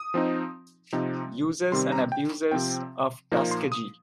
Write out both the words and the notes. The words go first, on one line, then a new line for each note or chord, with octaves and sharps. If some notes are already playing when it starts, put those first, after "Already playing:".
Uses and Abuses of Tuskegee.
Already playing: D#6
F3 C4 D#4
C3 F3 C4 D#4
C3 D#3 G3 C4 C6
A#5
G5
C3 F3 C4 G5
A#2 F3 A#3 D#4 A#5
C6
D#6